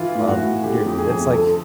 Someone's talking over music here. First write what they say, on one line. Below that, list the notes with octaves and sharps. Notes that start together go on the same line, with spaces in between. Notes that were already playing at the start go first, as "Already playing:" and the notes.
Um, your it's, like,
Already playing: E3 F4
A2
F#4
A2
D3 G4
F2
G#4
F2
D3 A4